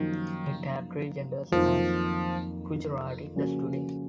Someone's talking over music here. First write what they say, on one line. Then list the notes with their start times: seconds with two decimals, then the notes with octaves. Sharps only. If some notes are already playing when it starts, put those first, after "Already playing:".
It had three genders as Gujarati does today.
Already playing: F#2 D#3 F3 A#3 D#4 F#4
1.52 F2 D#3 F3 F#3 A#3 D#4
3.35 C#3 F3 A#3 C#4 F#4